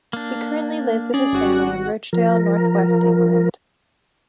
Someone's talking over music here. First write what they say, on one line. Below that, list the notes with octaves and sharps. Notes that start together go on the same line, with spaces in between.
He currently lives with his family in Rochdale, North West England.
A#3 D4
C#4 G#4 D5
G#1 F#4 F#5
F3 A#4